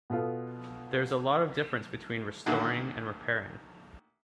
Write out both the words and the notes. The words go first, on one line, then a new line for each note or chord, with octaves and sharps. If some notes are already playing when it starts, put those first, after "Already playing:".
There is a lot of difference between restoring and repairing.
B2 B3 F4 A4
A1 A#2 D3 D#3 F#4